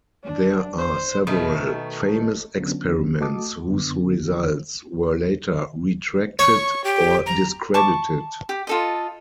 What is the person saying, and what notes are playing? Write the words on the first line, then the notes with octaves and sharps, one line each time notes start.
There are several famous experiments whose results were later retracted or discredited.
D4
C5
B2 D#3 A3
D3 F#3 B3 C#4 D4
A3 F#4 D#5 A5 D6 D#6
F#2 D3 B3 D4
C#5 C#6
G4
A#5
A5 C#6 D6
G4
F4 A4 D#5